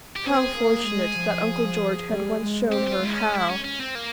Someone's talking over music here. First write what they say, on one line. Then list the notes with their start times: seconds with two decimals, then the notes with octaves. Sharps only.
How fortunate that Uncle George had once shown her how!
0.16 G4
0.26 C4 G#4
0.57 A#3
0.87 G#3
1.19 F3
2.10 G3
2.41 G#3
2.72 C4 G4
2.87 G4
2.93 F4
3.03 G#3 E4
3.13 C#4
3.34 E4
3.49 C#4
3.64 C#4
3.80 C4
3.95 A#3